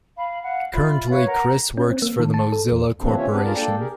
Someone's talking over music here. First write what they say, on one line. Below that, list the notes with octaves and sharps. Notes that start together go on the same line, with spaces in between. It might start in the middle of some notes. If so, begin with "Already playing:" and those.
Currently Chris works for the Mozilla Corporation.
F5 B5
F5 F#5
F4 E5 B5
B4 C#5 E5 F5
A#4 F#5 A#5
C#4
C4
A#3
D#3
A5
A4
E2
C3 E3 A#3 C4 D4
C4 C#4 F4 C#5 E5
B3 C4 D4 G4 B4
D4 F4 G#4 A#4 D5
A#3 D4 A4 D5 G5
G4 G#4 A#4